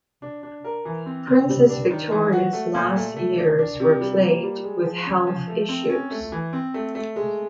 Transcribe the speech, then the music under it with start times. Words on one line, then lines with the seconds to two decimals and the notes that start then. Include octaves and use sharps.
Princess Victoria's last years were plagued with health issues.
0.22 D4
0.43 D4
0.65 A#4
0.85 E3
1.06 C4
1.27 C4
1.49 G3
1.69 D4
1.91 D#3
2.11 E3
2.33 F#4
2.53 A3
2.75 A#2
2.96 A3
3.16 A3
3.37 D4
3.59 D4
3.80 C3
4.01 G3
4.22 A#3
4.43 G3
4.63 G#3
4.85 F3
5.06 C#4
5.27 F3
5.48 A3
5.69 C4
5.90 C#4
6.11 A3
6.32 E3
6.53 C4
6.74 A3
6.95 A3
7.16 G#3